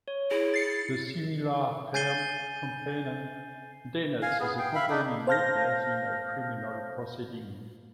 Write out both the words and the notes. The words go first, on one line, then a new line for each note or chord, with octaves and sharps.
The similar term "complainant" denotes the complaining witness in a criminal proceeding.
C#5
E4 G#4
A6 C7 C#7
G#5 G6 A6 C7 D#7 G7
F5 G#5
B3 G#4
G5
E5 F5 B5
D4 D#4
C5 F5 A5 F6 G6 A#6